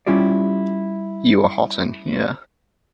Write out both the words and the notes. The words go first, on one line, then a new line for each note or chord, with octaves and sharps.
You are hot in here!
G3 C#4 E4 F4 G4 D5